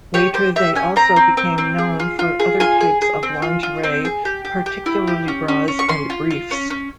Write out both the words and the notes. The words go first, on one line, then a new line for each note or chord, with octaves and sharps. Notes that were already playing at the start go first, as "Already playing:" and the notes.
Later they also became known for other types of lingerie, particularly bras and briefs.
G4 C#5
G4 C5
G4 E5
C#4 G#5
C4 A#5
C4
C4
C4
G#4
F4
F4
G#4
F4 G#5
G#4
G#4
C4
F4
F4
C4
G#4
G4
G4
G4
E4
G4
C#4
C#4
C#4
C#6
C#4 C6
F4
F4
C#4
C#4